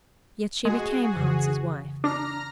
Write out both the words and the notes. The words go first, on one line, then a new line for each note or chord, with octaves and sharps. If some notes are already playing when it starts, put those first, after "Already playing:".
Yet she became Hans' wife.
G#3 F#4 G#4
F2 C#3 E3
D4 A#5 F6 A#6